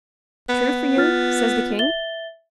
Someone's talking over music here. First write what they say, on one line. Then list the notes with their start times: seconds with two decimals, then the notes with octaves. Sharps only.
"True for you," says the king.
0.49 B3 B5
0.97 F4 F6 A6
1.79 E5 A6 G7